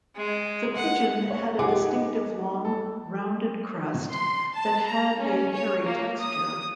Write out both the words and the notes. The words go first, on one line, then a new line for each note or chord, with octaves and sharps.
The pigeon had a distinctive long, rounded crest that had a hairy texture.
G#3
F#5
C#5
D#4 G4 G#4 F#5 G#5 D6
D#4
A4
C6
A5
A#5
C#4
C#5
A#3
D#6